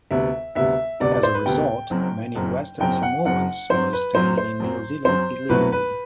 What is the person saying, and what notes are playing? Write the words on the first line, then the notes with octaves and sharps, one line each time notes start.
As a result, many Western Samoans were staying in New Zealand illegally.
D2 C3 G3 B3 E5
D2 C3 G3 B3 E5
D2 C3 G3 B3 D5
D5
C5
B4
D2 C3 G3 B3 G5
F#1 F#2 F#3 C4
F#1 F#2 F#3 C4
F#1 F#2 F#3 C4 G5
F#5
F#1 F#2 F#3 C4 F#5
F#2 F#3 C4 C5
B4
F#2 F#3 C4 C5
C5
F#2 F#3 C4
F#2 F#3 C4 C5
C2 B2 F#3 A3 C4 B4
B4